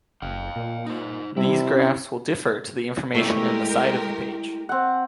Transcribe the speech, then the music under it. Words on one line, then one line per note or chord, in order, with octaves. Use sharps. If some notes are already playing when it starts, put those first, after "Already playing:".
These graphs will differ to the information in the side of the page.
F#1 F5 G5
A#2
D#4 C5
C3 G3 E4
C#4
G#3 A3 E4 G4 A#4 D5
C4 F#5